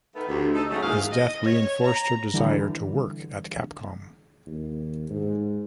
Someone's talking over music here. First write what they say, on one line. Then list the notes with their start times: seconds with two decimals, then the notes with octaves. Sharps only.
His death reinforced her desire to work at Capcom.
0.15 D#3 A3 B3
0.28 D2 C3
0.54 D#4 A4
0.69 F#3 G#3 A3 C4 C#4
0.82 D#2 G#2 E3 F3 G#4 F5
1.11 D#5
1.43 C#5
1.83 A#5
2.34 D3 E3 G3
4.46 D#2
5.10 G#2